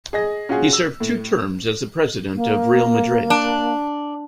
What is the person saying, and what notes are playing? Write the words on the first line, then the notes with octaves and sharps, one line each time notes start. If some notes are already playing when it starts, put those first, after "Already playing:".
He served two terms as the President of Real Madrid.
G#4 D#5 A#6
C#4 F4 F#4 G#4
E6
A2
A#3
D4